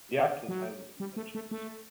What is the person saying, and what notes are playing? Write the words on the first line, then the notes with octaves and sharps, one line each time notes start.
The Act was highly contentious.
F#3
G3
A3
A3
A3